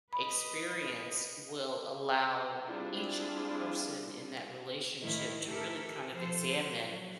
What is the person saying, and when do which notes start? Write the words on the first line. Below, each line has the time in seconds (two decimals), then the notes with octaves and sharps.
experience will allow each person in that relationship to really kind of examine
0.13 B4 D#5 B5
2.65 G3 C4 D4 E4 F4 G#4
5.01 A2 D#3 E4
5.48 G4 A4 A#4 E5
6.13 F3 A4 C5
6.64 F#3